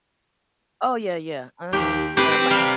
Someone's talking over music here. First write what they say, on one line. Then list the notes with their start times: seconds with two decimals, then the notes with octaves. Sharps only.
Oh yeah, yeah, uh-huh. Yeah, my
1.73 D#2 G4
2.17 C4 G4 B4
2.31 C4
2.50 C3 G3 F5